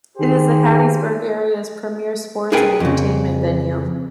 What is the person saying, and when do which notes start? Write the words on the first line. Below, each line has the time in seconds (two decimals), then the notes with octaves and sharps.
It is the Hattiesburg area's premier sports and entertainment venue.
0.17 D#3 G4 G#4 C5
2.52 G#4 A#4 B4 G5 G#5
2.80 F2 C#3